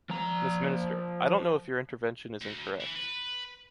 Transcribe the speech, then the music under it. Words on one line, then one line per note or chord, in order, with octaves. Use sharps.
Mrs. Minister, I don’t know if your intervention is incorrect.
F3 A#5
D2
E3
B4